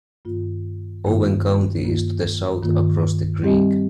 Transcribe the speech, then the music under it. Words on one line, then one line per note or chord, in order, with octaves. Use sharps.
Owen County is to the south across the creek.
G2 D#3 A#3 F4
G2 D#3 A#3 F4
G2 D#3 A#3 F4
G2 D#3 A#3 F4
G3 C4 G4 D#5